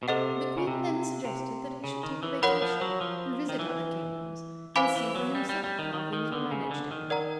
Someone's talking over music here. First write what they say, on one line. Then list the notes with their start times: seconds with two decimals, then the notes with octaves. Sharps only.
The Queen then suggested that he should take a vacation, and visit other kingdoms, and see for himself how things were managed in them.
0.03 B2
0.08 C3 A4 C5 D#5 F#5
0.58 C#3
0.67 C3
1.25 C3
1.84 C#3
2.03 D#3
2.23 E3
2.42 F3 A#4 C#5 F#5 B5
2.62 F3
2.81 F#3
3.01 F3
3.49 D#3
3.59 E3
4.76 E3 C5 F5 G#5 B5 D6
4.96 E3
5.15 F#3
5.35 G3
5.49 G3
5.64 G3
5.79 D#3
5.94 D#3
6.13 D#3
6.32 D3
6.51 C#3
6.71 D3
6.91 D#3
7.10 A#4 D5 F#5 A#5